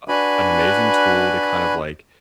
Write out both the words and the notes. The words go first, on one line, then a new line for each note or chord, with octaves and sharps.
uh, an amazing tool to kind of, like,
D4 F#4 B4 G#5 B5